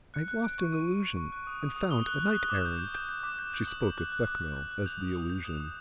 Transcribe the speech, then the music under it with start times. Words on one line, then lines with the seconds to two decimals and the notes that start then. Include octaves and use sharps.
"I have lost an Illusion and found a Knight-errant." She spoke of Bechamel as the Illusion.
0.14 F#6 C#7
0.28 F#6
0.43 F#6 D7
0.58 C#6
0.72 C#6 D#7
0.88 C#6
1.03 F#6 D7
1.17 C#6
1.32 F#6
1.47 D#6
1.62 D#6
1.76 D#6
1.91 D#6 G7
2.06 F#6
2.21 F#6
2.35 F#6
2.50 D6
2.65 G6
2.79 G6
2.94 G6
3.09 G6
3.23 D6
3.39 G6
3.54 G6
3.67 D6 F#7
3.82 D6
3.97 F#6
4.12 F#6
4.27 D6
4.41 D6
4.57 F#6
4.71 F#6
4.86 G6 F7
5.01 D#6
5.15 D#6
5.30 G6
5.44 D#6 E7
5.60 D#6